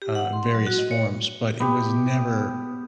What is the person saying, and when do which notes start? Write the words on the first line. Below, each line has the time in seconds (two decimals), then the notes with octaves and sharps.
uh, in various forms, but it was never
0.02 G4
0.15 F#5
0.33 C6
0.55 F#3
0.67 F#4
0.78 D#5
0.91 C#5
1.60 B3 G4